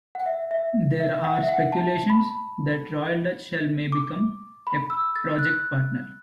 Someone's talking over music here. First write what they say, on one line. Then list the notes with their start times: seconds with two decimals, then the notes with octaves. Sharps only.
There are speculations that Royal Dutch Shell may become a project partner.
0.15 F#5
0.26 E5
0.51 E5
1.00 E5
1.24 F#5
1.43 E5
1.49 F#5
1.72 A5
2.10 B5
3.92 D6
4.67 B5
4.90 E6
5.16 A6
5.39 F#6